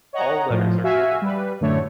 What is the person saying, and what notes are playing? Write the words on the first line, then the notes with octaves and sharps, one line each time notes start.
All letters are gilded.
C#5 D#5 F#5 A#5
A2 F3
F#4 E5 F5 G#5
G3 B4
F#2 A2 D3 A3 C#5